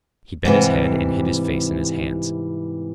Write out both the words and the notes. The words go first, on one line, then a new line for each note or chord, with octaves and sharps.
He bent his head, and hid his face in his hands.
G#2 C3 E3 G3